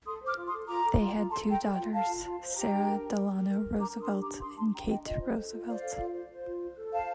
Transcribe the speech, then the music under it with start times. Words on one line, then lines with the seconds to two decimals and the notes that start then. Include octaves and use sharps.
They had two daughters, Sara Delano Roosevelt and Kate Roosevelt.
0.06 A4 C6 D#6
0.22 C5
0.27 D6 F6
0.37 F4
0.47 C6 D#6
0.52 A4
0.68 F4 A#5 D6
0.84 A4
0.99 F4
1.15 F4
1.30 A4 A5 C6
1.46 A4
1.51 G5 A#5
1.62 A4
1.73 D#5 G5
1.78 F4
1.93 A4 F5 A5
2.08 F4
2.24 F4
2.40 C5
2.55 G4 G5 A#5
2.71 D4
2.86 A#4
3.03 G4
3.17 G4
3.33 A#4
3.50 A#4
3.65 D4
3.80 A#4 A#5 D6
3.95 D4
4.01 C6 D#6
4.12 G4
4.22 A#5 D6
4.27 D4
4.42 D4 C6 D#6
4.58 D4 A5 C6
4.73 D4 G5 A#5
4.89 D4 D#5 G5
5.05 F4 D#5
5.21 C5
5.37 A4
5.52 F4
5.67 C5 D5 F5
5.82 A4
5.98 F4
6.14 C5
6.30 C5
6.45 F4
6.61 C5
6.76 A4
6.92 C5 F5 A5